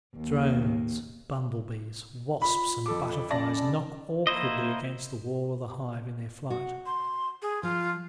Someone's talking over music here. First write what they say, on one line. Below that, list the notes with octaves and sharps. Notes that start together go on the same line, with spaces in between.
Drones, bumblebees, wasps, and butterflies knock awkwardly against the walls of the hive in their flight.
D#2
F4 B5
F2 A4 D6
C#4 D5 A5 A#6
A#3 E4 C5 D#5
F#4
C6
G#4
F3 F4